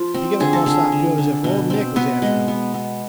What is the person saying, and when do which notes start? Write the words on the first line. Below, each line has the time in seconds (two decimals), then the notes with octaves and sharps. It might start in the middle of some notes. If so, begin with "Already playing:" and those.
He got across that field as if Old Nick was after him.
Already playing: F3 F4
0.14 C4
0.40 D3 G#4
0.53 A4
0.66 D3 G#4
0.92 D3
1.18 D3
1.44 B2
1.70 C4
1.96 B3 B4
2.22 G#3
2.48 B3
2.74 B3